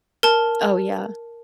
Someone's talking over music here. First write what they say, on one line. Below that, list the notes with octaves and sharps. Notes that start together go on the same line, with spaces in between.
Oh, yeah.
A#4 A5